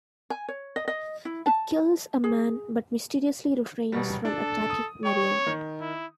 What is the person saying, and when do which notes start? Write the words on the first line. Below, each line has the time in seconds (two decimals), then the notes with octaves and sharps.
It kills a man, but mysteriously refrains from attacking Marianne.
0.30 G#5
0.48 C#5
0.76 D#5
0.88 D#5
1.25 E4
1.46 A5
2.24 G#4
3.92 E1 B2 G3
4.25 D4 A4
4.70 D#6
5.05 C#5 G5 C#6
5.46 D#3
5.81 E4